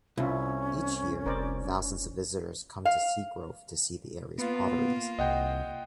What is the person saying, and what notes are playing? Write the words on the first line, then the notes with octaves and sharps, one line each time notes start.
Each year, thousands of visitors come to Seagrove to see the area's potteries.
C2 C#4 E4 F4
F1 A#4 C5 D5
F5
A#3 B3 F4
C2 D#5 F#5 G5